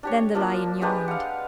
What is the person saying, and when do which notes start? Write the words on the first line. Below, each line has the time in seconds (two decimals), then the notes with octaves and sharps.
Then the lion yawned.
0.03 D4 G4 C#5
0.35 F3 A#3 D4
0.82 G#3 D4 G4 B4
1.08 F5 F#5